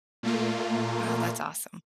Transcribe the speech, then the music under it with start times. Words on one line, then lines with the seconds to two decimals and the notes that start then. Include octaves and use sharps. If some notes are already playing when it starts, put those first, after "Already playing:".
Wow, that's awesome.
0.23 A#2 A3 A#3 F4